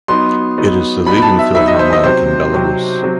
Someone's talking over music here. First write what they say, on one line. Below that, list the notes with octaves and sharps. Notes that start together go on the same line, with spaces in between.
It is the leading Philharmonic in Belarus.
F#3 B3 D#4 C6
F#3 B3 D#4
F#3 B3 D#4 B5
B5
A5
E5
F#3 B3 D#4 E5
D#5
C5
D#5
C3 F#3 C4 C5
C3 F#3 C4
F#3 C4